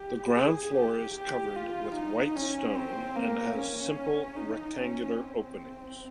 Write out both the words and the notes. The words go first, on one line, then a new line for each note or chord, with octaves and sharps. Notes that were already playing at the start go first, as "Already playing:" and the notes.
The ground floor is covered with white stone and has simple rectangular openings.
Already playing: G4
G#4
G4
G4
F4
D#4
C#4
C4
A#3
C#4
D#4
C#4
C4